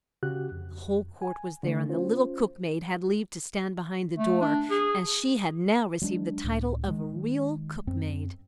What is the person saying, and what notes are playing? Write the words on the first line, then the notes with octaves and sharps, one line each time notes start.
The whole court was there, and the little Cook-maid had leave to stand behind the door, as she had now received the title of a real cook-maid.
C#3 F#4 G4 F#6
F2
G#5
D3 A3
C#4 F4 C5
A3
D4
G#4
F#3 G#3 D4
C#2 A2
D#3 G#3
F#2 C4